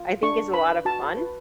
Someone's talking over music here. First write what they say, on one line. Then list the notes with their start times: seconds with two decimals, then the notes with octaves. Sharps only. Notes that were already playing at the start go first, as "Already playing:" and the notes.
I think it's a lotta fun
Already playing: F4
0.23 D4 C#6
0.54 B4 B5
0.85 F#4 A5
1.17 B4